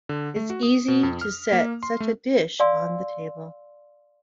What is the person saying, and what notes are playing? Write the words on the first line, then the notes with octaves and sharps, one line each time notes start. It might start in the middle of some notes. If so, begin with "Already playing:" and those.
It is easy to set such a dish on the table.
D3
A3
F#4
D#6
B2
F2
F6
A#3
C6
A3
D5 F5 G#5 C6 E6